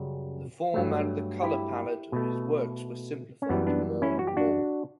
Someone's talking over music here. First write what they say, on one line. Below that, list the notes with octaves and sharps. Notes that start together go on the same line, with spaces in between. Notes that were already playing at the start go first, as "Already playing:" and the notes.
The form and the color palette of his works were simplified more and more.
Already playing: F#2 C#3 G3
G2 F#3 A3
E4 G4
B2 A3
C#4
F#2 E3 G3 B3
B3 D4
C#4 E4
F#4
G4
D4 F#4